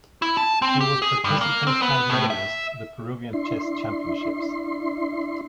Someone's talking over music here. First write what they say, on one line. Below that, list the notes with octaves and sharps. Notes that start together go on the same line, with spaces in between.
He was participant and medalist the Peruvian Chess Championships.
E4
A5
C4
G4
G#4
G2
A#3
C4
B3
A2
E5
D4 E4 C6